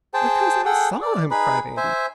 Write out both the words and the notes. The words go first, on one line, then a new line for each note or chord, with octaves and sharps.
"Because I saw 'em!" cried Andy.
G#4 C5 G5 A5
G#4 A4 F#5 G5
D5
D#4 G#4 B4 B5
C5 E5 G#5